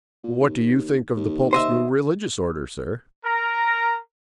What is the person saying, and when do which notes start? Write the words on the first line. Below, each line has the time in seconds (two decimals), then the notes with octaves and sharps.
"What do you think of the Pope's new Religious Order, sir?"
0.24 A#2
0.40 D#2
1.16 D#2
1.53 C5 D#5 E5
3.25 A#4 A#5